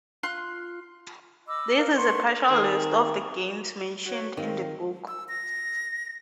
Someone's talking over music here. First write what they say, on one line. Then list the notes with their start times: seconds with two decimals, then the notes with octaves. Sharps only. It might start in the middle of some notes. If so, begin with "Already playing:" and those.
This is a partial list of the games mentioned in the book.
0.23 F4 C6 F#6
1.47 D#5 B5 D6 E6
1.76 A#4 F5
1.94 B4 F#5 C6 C#6
2.50 D#3 C4 G#4
4.05 F#4 C#5
4.37 D#3 C4 F5
5.08 E6
5.29 A#6